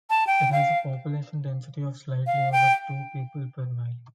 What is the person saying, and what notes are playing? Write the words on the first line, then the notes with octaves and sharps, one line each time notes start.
It has a population density of slightly over two people per mile.
A5
G5
F5
F5
G5